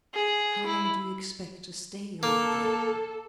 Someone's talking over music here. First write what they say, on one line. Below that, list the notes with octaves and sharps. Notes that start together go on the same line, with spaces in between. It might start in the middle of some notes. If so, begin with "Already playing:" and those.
"How long do you expect to stay over there?"
G#4
E4
A#3 A4